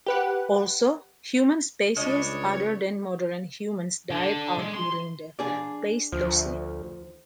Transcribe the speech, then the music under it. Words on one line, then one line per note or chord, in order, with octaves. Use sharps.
Also, human species other than modern humans died out during the Pleistocene.
G4 B4 F#5
C#2 G3 D4 C#5 D#5
D3
G#3
C6
D4 G#4 D5
D2 F3